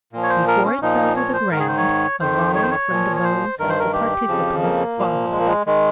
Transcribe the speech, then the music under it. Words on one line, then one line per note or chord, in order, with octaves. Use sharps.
Before it fell to the ground a volley from the bows of the participants followed.
A#2 F3
C#5
C5
A#4
C#4
A#2 F3 D#4
C#5
C5
G#2 D#3 A#4
G#4
C5
C#5
F2 D#3 C5
C#5
C5
C#5
A#2 F3
C#5
C5
G2 D#3 A#4
C5
A#4
G4
F2 C#3 F3
A#3
A#2 F3
G#3
A#3
G#3
D#3 G#3